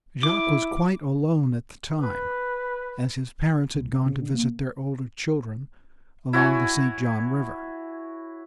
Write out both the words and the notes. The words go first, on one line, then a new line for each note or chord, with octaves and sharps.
Jacques was quite alone at the time, as his parents had gone to visit their older children along the St. John River.
E4 D6
B4
C2
C3
C#3
D3
A#3
E4 F#4 C#5 G#5